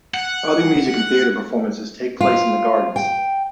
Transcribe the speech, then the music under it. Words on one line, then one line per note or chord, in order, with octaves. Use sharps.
Other music and theatre performances take place in the gardens.
F#5
F4
G5